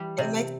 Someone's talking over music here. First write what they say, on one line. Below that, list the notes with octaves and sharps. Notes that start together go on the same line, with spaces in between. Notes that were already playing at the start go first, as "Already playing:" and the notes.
That makes
Already playing: E3 G3
C3